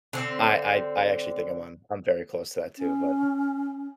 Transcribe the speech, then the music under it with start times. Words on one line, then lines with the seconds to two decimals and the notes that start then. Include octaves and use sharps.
I I I actually think I'm on I'm very close to that too, but
0.13 D3 C4
2.78 C#4